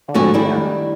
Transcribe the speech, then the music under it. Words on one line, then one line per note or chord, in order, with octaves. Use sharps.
Oh, yeah.
F2 G#2 D3 A3 F#4 G#5
D#3 G3 E4